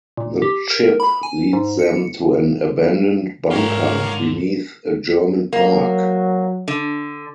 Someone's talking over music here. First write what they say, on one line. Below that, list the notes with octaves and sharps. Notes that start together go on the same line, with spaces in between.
The chip leads them to an abandoned bunker beneath a German park.
A#2
G4
A#4
B5
G#5
G#2
C#7
G#2 F#4 A#4 C#5 F5 G5
D3
F#3 A#3
D3